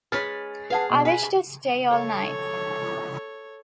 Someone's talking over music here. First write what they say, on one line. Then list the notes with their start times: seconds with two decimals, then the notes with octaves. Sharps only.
I wish to stay all night.
0.12 G#3 C#4 B4 F6 A6
0.70 G#4 B4 F5 F#5 A5
0.90 B2
1.05 B4 G#5
1.88 A4 C#5